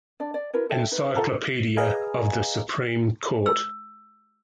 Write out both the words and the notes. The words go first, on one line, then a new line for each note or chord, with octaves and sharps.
Encyclopedia of the Supreme Court.
D4 D5
D5
E4 F#4 A#4 B4
A4 E5 G5
D#4 B4
F4 A4 F#5 A#5
G#4 B4 D#5 F5 G#5 A#5
E6